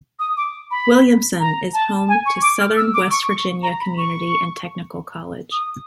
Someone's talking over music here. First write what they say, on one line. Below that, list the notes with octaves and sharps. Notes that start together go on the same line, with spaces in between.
Williamson is home to Southern West Virginia Community and Technical College.
D#6
D6
B5
A#5
A5
G#5
C#6
D6
F6
E6
D6
C#6
C#6
A#5
B5
C#6
D#6